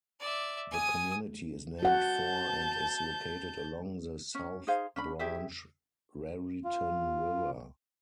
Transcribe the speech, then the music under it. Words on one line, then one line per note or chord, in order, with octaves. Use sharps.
The community is named for and is located along the South Branch Raritan River.
D5 E5
G#5 D#6
F#4 F#5 A5 G6
C#4
D#4 G#4 C5 F5
C#4 D4 B5
E4 G4 G#4 E5
F4